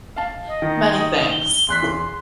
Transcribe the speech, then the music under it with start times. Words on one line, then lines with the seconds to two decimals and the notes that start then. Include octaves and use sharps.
Many thanks.
0.16 F5 A5
0.48 D#5
0.62 D#3
1.30 G7
1.69 E2 C6 F#6 B6